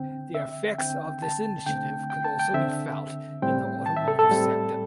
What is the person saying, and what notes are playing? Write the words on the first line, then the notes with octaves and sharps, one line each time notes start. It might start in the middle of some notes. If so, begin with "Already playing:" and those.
The effects of this initiative could also be felt in the automotive sector.
Already playing: D3 C4 G5
E5
D3 C4 G5
A5
D3 A3 C4 G5
G5
A5
G5
D3 C4 E5
A2 G3 C4 G5
A5
E5
A4
A4
A2 G3 C4